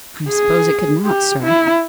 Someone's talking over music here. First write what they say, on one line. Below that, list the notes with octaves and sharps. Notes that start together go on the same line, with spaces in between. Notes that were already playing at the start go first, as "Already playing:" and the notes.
"I suppose it could not, sir."
G#4
G4
E4